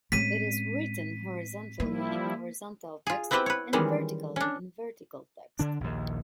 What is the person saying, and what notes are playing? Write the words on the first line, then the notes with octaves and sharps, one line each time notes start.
It is written horizontally in horizontal text and vertically in vertical text.
A2 G#3 C4 C#4 B6 D#7
F3 G3 A#3 E4
F4 G#4
B3 C4 E4 G4 B4 G5
B4 C#5
D#3 E3 G3 G#3 C#4
C#4 D4
D3 D4
A#1 D#2